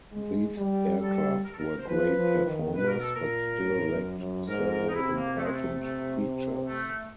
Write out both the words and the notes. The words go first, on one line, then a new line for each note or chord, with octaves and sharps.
These aircraft were great performers, but still lacked several important features.
G#3
G3
G3 A4
A#4
A4
A#4
C5
F3 B4
F3
D#3
B2 B4
A#4
A4
A#2 A#4
A2
F#2
F#2
G#2 A#4
A#4
D#4
C3 E4
A#3
A3
G#3
A3
A3
A3